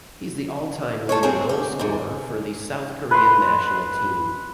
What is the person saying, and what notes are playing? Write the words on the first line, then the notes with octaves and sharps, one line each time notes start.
He is the all-time leading goal scorer for the South Korean national team.
A4 C5 C#5
A#3 C4 C#4 F#4 G#4 A#4
G4
G#2 C3
B4 C6